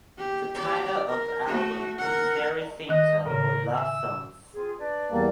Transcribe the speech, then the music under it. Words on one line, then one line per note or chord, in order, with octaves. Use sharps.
The title of the album was "Seri Cinta" or Love Songs.
G4
G4 D5
A#4
A3 F#4
A#4 F#5
D#3 D#5 F#6
A2 C#3 A#4
E5 G#5 E6
C4 F4 G#4
D4 B4 D5
E2 G3 A#3